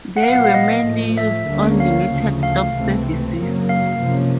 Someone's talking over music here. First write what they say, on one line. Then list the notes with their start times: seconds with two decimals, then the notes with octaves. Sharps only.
They were mainly used on limited-stop services.
0.17 F#5
0.23 A#2 F#3 B3 F5
0.33 F#5
0.44 F5
0.54 D#5
0.86 A2 F3 A3
1.17 E5
1.49 D2 D3 G3 A#3 C#4
1.80 F5
2.11 D2 C#3 F3 A3
2.43 F5
2.75 C#2 C3 E3 A3 C4
3.38 F#2 C#3 F#3 A#3
3.69 F5
4.01 C3 F3 A#3 C#4